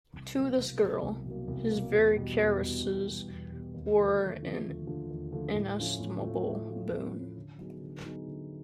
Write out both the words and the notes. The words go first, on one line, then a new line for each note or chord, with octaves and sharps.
To this girl his very caresses were an inestimable boon.
C2
B2 F#3 A#3
C2
B2 F#3 A#3
C2
B2 F#3 A#3
C2
B2 F#3 A#3
E2
B2 G3 B3
E2
B2 G3 B3
E2
B2 G3 B3
E2
B2 G3 B3
D#2
D3 F3 A3
D#2
D3 F3 A3
D#2
D3 F3 A3
D#2
D3 F3 A3
A2
F3 A3 C#4 F4
A2
F3 A3 C#4 F4
A2
F3 A3 C#4 F4
A2
F3 A3 C#4 F4
D3
F#3 B3 D#4 G#4
D3
F#3 B3 D#4 G#4
D3